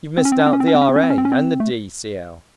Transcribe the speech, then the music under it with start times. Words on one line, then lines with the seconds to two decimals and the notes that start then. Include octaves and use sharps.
"You've missed out the R.A., and the D.C.L."
0.18 C4
0.25 C#4
0.32 C4
0.39 C#4
0.46 C4
0.53 C#4
0.60 C4
0.68 C#4
0.75 C4
0.81 C#4
0.89 C4
0.96 C#4
1.03 C4
1.10 C#4
1.18 C4
1.25 C#4
1.32 C4
1.60 A3